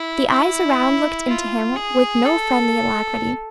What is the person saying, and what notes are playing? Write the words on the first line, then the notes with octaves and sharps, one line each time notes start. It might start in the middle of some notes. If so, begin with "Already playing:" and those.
The eyes around looked into him with no friendly alacrity.
Already playing: E4
E4
F4
G#4
A4